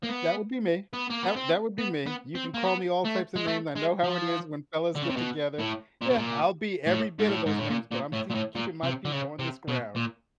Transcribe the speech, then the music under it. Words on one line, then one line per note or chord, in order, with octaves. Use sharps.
That would be me. That that would be me. You can call me all types of names, I know how it is when fellas get together. Yeah, I'll be every bit of those names, but I'm see keeping my feet on this ground.
A#3
B3
B3
A#3
B3
C4
B3
B3
C4
A#3
B3
A3
G#3
A3
G#3
F3
D3
C#3
C3
B2
A2
A#2
B2
A#2
A2
G#2
A2
G#2
A2
A#2
A#2
A2
A#2
A2
A#2
C3
D3
C#3
C3
B2
A#2